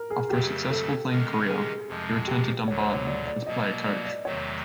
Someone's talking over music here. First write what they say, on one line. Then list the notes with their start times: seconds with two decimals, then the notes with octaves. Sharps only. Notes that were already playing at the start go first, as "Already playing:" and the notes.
After a successful playing career, he returned to Dumbarton as player-coach.
Already playing: A#4
0.10 G#4
0.30 F2 C#3 F#3 A3 G4
0.70 A4
1.09 C3 D#3 G#3 C#4
1.49 G#4
1.88 F2 C3 F3 G#3
2.27 G4
2.68 D2 D3 F#3 C#5
2.81 C5
2.94 C#5
3.07 D5
3.27 D5
3.47 B2 F#3 A#3 D#5
3.86 D5
4.05 D5
4.25 E2 C3 D#3 F#3 A3 C#5